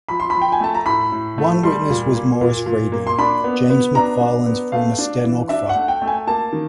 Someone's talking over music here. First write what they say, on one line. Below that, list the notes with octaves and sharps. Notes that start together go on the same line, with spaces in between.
One witness was Morris Friedman, James McParland's former stenographer.
F3 B5
C6
B5
F3
G5
G#5
A3 A5
A#5
A2 B5
A2
A3
G3 C6
A#2
A#3
A#2
A#2
A#3
C6
D4 B5
B3
B3
D4 A#5
D4
B3
A3 F5
D4
E3
D4 E5
F#5
A3
G5
A3
G#5
A#3 A5
D#3